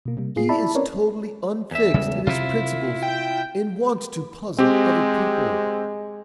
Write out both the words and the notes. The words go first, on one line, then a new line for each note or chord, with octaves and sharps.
He is totally unfixed in his principles, and wants to puzzle other people.
B2 A#3
C3 G3 A#3
A2 A#3 B3 F4 G#4 C7
E4 D5 E5 A5 B5
C4 C#4 A#4 B4 C#5 D5
E2 E5
C#3 G3 G#3
C3 E4 F4
G5
G#3 C4 G4